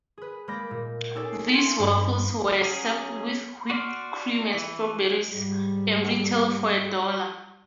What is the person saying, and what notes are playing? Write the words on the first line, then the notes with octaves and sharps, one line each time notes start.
These waffles were served with whipped cream and strawberries, and retailed for a dollar.
G#4 B4
G#3 A#3 D5 B5 G6 A#6
A#2
C#4 D#4 A4 D5
G#5 C6
G2 C4 D4 B5
F#3 C#4 G#4
F#4 D5 C6 F6
E3
G#2 G3